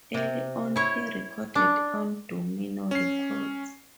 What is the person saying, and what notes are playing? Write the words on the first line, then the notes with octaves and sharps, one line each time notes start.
Early on he recorded on Domino Records.
C3
E4 C#5
D4
C#4 C7